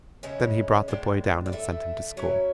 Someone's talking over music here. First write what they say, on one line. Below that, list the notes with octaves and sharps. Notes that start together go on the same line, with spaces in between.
Then he brought the boy down and sent him to school.
C#3 G#3 C#4 E4
A2 G#3 D4 D5
D5
D3 A3 E4 E5
F#3 C#4 E4